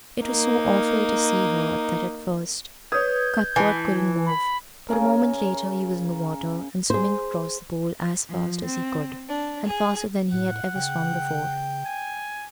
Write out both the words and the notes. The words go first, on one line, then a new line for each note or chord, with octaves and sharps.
It was so awful to see her that at first Cuthbert couldn't move; but a moment later he was in the water and swimming across the pool as fast as he could, and faster than he had ever swum before.
A#3 D#4
B4 C#5 D#6 G6 G#6
E3 G#5 A5
B5
C#3 C#4 A#4
G#4 C5
F3
C4
D4
G#4
A2 F#5
C#3 G5
G#5